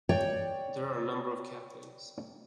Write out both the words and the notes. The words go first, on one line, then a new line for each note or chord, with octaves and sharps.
There are a number of cafes.
C#5 D5 G5